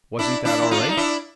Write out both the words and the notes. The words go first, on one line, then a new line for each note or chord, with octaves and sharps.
"Wasn't that all right?"
D4 E4
D4 E4
E4
D#4 F4
D4
D#4
D4 E4